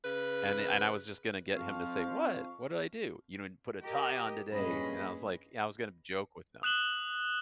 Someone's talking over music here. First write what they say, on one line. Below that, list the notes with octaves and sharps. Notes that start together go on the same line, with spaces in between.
And it I was just gonna get him to say, "What? What did I do?" You know, and put a tie on today, and I was like, you know, I was gonna joke with him,
C#3 B4
F2 F3 C4 F5 C#6
G4 A#4 D#5
G2 A#2 C#4 G#4 B4 D#5
D#6 F#6 E7 F#7 G7